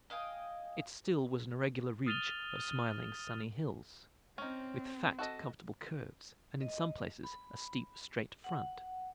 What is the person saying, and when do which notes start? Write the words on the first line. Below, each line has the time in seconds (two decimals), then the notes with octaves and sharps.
It still was an irregular ridge of smiling, sunny hills with fat, comfortable curves, and in some places a steep, straight front.
0.10 D#5 F5 G5 G#5
2.06 D#6 F6 A6 D#7 F7 G7
4.38 C4 C#4 D#4
5.19 F#4 A4 D#5
6.61 D#5
7.24 B5
8.44 F#5